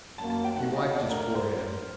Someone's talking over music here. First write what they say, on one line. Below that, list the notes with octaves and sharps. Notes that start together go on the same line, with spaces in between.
He wiped his forehead.
F#2 F#3 A#3 A5
A5
G5
C3 D#3 A3 D#4 F#4 F#5
D#5
D2 D3 A3 D5
A#4
A#4
C5